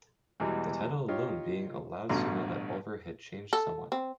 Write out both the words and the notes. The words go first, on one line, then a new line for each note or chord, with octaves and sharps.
The title alone being a loud signal that Ulver had changed somewhat.
E2 B2 E3 G3 G#3
D#4 F4 G4 C#5
A1 G2 B2 A3 A#5 C6
A4
C4